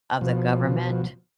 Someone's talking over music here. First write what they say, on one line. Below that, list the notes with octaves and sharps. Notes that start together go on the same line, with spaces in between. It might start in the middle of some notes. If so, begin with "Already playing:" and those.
of the government
B2 F3